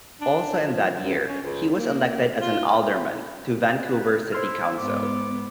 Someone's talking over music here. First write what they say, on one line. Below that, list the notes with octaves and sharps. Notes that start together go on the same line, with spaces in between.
Also in that year, he was elected as an alderman to Vancouver City Council.
D4
F3
F#2
C#4
C#2
A#3
F4
B4
E4 C5 C6 F6
G#2 B3 D6